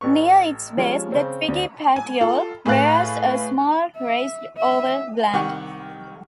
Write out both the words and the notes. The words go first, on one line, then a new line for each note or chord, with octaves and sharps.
Near its base, the twiggy petiole bares a small, raised, oval gland.
A1 B4 C#6
F3 G3 G#3 C#4
C#3 C4
D2 C4
G#5
F4 A4
A2 G#4 B4 F5 F#6 A6
E5
E5
C2 D#3 G4 F#5 C#6